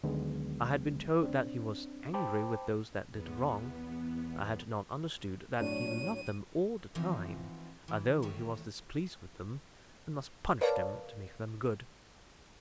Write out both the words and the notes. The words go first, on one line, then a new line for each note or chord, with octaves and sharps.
I had been told that he was angry with those that did wrong; I had not understood that he loved them all the time, although he was displeased with them, and must punish them to make them good.
D2 D3 D#3 F#3 G#3 B3
C4 D4
C5 G5 A5 B5 D6
E2 B3
A2 F#3 D4 C#5 D#7
E3 F3 B3 C4 D#4
E3
E2 D#3 G3 A3 C#5
A#4 B4 C#5 D5 F5 A5